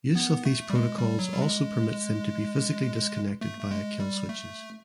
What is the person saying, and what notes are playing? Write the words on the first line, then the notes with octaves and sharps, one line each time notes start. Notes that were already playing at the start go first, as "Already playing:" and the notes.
Use of these protocols also permits them to be physically disconnected via kill switches.
B3
A3
G3
G#3
G3
F#3
G3
G#3
A3
A3
G#3
G3
A3